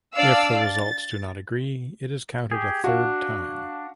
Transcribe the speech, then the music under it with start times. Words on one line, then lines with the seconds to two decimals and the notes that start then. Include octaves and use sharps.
If the results do not agree, it is counted a third time.
0.14 D4 D5 F5 E6
0.62 A6
2.52 G4 G#4
2.84 D4 F#4 F5